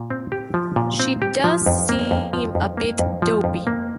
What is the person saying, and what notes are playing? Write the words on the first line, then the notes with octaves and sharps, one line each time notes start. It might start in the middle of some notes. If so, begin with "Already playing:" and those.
She does seem a bit dopey.
Already playing: A#2
C4
G4
F3
A#2
C4
G4
F3
F2
A#3
F2
F3
F2
A#3
F2
F3
F2
A#3